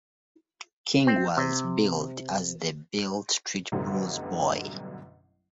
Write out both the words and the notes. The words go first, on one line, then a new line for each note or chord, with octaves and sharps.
King was billed as the Beale Street Blues Boy.
C4
C3
A1 F#2 B2 D3 F#3 G3